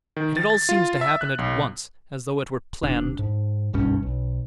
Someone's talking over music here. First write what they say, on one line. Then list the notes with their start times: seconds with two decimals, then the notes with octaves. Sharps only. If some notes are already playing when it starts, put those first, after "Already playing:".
And it all seems to happen at once, as though it were planned.
0.16 D#3
0.37 A6
0.50 A6
0.69 F4
1.01 E5
1.21 F#6
1.38 B1
2.83 D#1 D4
3.19 G#2
3.73 F#1 B1 G2 C#4
4.03 B1